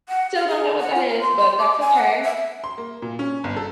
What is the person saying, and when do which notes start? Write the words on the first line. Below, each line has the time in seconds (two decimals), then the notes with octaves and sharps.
still don't know what that is, but that's okay.
0.09 F#5
0.35 F5
0.48 G#4
0.80 F#5
0.95 F4
1.08 A#4
1.21 C6
1.38 C6
1.58 D6
1.81 G#5
1.95 F#5
2.23 E5
2.64 C6
2.78 A#3
3.02 A#2
3.19 C#4
3.44 G1
3.56 A4